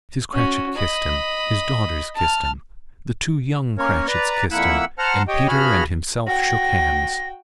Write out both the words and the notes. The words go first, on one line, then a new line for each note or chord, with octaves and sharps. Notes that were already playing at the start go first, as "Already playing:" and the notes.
Mrs. Cratchit kissed him, his daughters kissed him, the two young Cratchits kissed him, and Peter and himself shook hands.
C#4 F#4
D#5 B5
A5 F6
A#3 C#4 A#4 C#5
B4 D5 A#5
F2 A#3 E4 E5 F#5 E6
C5 F#5 A5 A#5 F6
G4 C#5 D#5 G5
G2 F#4 G#4 B5 F6
F#4 G5 A#6